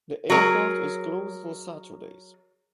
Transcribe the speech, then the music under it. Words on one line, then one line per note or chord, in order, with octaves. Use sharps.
The airport is closed on Saturdays.
F#3 G#4 A#4